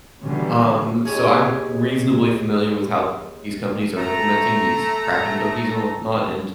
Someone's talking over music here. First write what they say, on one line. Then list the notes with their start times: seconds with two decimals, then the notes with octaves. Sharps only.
Um, so I'm reasonably familiar with how these companies are implementing these tracking cookies and whatnot, and
0.23 B2 D3 E3 F#3 G3 C#4
1.05 D#2 G4 G#4 C#5
3.97 A3 A#5